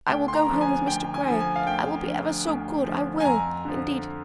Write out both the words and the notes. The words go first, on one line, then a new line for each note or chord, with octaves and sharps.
I will go home with Mr. Grey. I will be ever so good; I will, indeed.
D2 G5
C6
A#5
D3 F3
G#5
D2 G5
G#5
D3 F3
G#5
F5
D2 G5
D3 F3
D2
D3 F3
G#5
F2 A#5
D3 F3